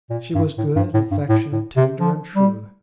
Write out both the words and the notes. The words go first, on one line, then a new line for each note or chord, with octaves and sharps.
She was good, affectionate, tender, and true.
A#2
G2
A2
G2
A2
G2
A2
A2
C3
F3
G3